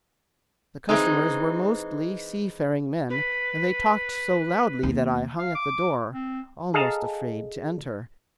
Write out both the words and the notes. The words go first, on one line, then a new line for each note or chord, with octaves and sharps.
The customers were mostly seafaring men, and they talked so loudly that I hung at the door, almost afraid to enter.
E3 G#3 C4 D#4
B4
D#2
F5
D6
C4
G#4 A4 D#5 F5 A5 A#5